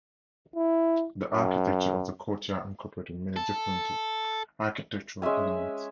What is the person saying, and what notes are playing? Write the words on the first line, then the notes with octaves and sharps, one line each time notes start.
The architecture of the courtyard incorporated many different architectural elements.
E4
F#2
A4
G#3 C#4 E5 G#5